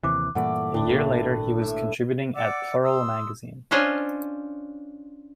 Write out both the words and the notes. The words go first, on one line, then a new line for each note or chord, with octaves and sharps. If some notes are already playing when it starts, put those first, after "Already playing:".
A year later he was contributing at "Plural" magazine.
D#2 C3 E3 D6 F#6
G2 A#2 E3 A3 E4 D5 F#5
D#1 D2 D4 B4 G5
G#1 A#2 A3 A#3
A2 E5
D5 F#5 D6 E6
C6 D#6 E6
C#4 D4 F4 C5 C#5 D#5